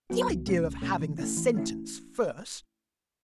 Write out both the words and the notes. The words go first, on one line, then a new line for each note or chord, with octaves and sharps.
'The idea of having the sentence first!'
F#3 B3 F#4
C#2
B2 A3 C#4
C#2
B2 A3 C#4
E3
A3 C#4 E4
E3
A3 C#4 E4